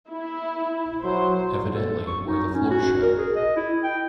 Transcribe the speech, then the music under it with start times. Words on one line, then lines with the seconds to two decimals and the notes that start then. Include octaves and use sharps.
Evidently we're the floor show.
0.10 E4
1.04 F#3 C5
1.74 A4
2.07 C#6
2.26 D#4
2.54 C#4
2.71 F#4
3.02 A#4
3.18 G#4
3.36 D#5
3.57 E4
3.84 G5